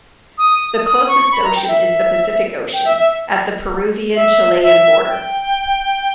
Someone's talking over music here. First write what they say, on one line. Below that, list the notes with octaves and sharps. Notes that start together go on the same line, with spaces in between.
The closest ocean is the Pacific Ocean, at the Peruvian-Chilean border.
D#6
D#6
C#6
C#6
B5
A#5
G5
E5
G5
E5
E5
E5
E5
G5